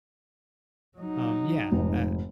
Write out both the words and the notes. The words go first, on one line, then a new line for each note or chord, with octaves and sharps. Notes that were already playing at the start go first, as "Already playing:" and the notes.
Um, yeah, eh,
F#3 D#4
F1 G#2